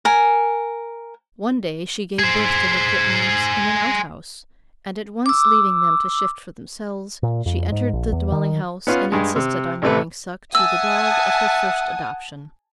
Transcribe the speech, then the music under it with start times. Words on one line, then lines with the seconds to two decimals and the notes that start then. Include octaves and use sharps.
One day she gave birth to her kittens in an out-house, and at once leaving them to shift for themselves, she entered the dwelling house and insisted on giving suck to the dog of her first adoption.
0.05 A#4 G#5
2.19 G#4 C5
5.26 D6 E6
7.23 A#2
7.46 F2
7.72 G#2
7.93 A#1
8.12 E2
8.32 D#3
8.87 B3 C#4 F4 F5
9.12 G2 G#3
9.36 C3
9.82 A1 C3 A3 B4
10.55 E5 F#5 G#5 A5 D#6 E6